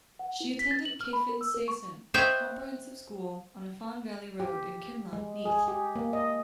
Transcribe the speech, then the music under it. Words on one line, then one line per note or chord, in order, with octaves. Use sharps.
She attended Cefn Saeson Comprehensive School on Afan Valley Road in Cimla, Neath.
F#5
E4
B6
A6
F#7
F6
B5
A#4
E6
A#4
C#6
C5 C#5 D#5 E5 F#5 G5
G4
G#3
G#4
G4
A#3
D#5